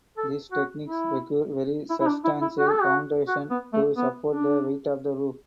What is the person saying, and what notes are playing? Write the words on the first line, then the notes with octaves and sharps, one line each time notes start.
This technique requires very substantial foundations to support the weight of the roof.
A4
F#4
E4
E4
E4
D4
E4
E4
F#4
A4
F#4
F#4
B3
A3
B3
D4